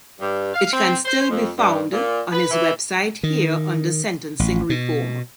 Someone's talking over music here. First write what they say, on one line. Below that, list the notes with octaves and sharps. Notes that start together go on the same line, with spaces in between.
It can still be found on his website here under sentencing reform.
G2
F5
C4
C5
F2
G2
A#2
B4
E3
D#3
A1
B2